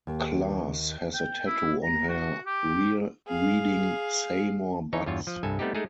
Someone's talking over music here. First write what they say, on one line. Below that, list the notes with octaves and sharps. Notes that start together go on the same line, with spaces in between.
Klass has a tattoo on her rear reading Seymore Butts.
D#2
G5
E4
A#5
F#4
G4
G#4 F5
E3 D#4 C#5
E2 G2 F4 C#5
F3
C2 G2 A4 G#5
G3 A3 B3 C4 D#4 G4
G#3 A3 D#4 G#4